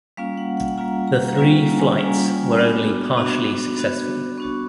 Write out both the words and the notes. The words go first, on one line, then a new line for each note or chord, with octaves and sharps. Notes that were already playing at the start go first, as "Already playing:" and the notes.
The three flights were only partially successful.
G3 A#3 C#4 F4 F5
F#5
F#5
G3 A#3 C#4 F4 A#5
A#5
G3 A#3 C#4 F4 A#5
A#5
G#5
G3 A#3 C#4 F4 A#5
B3 D4 F#4
B3 D4 F#4
B3 D4 F#4
B3 D4 F#4 C#6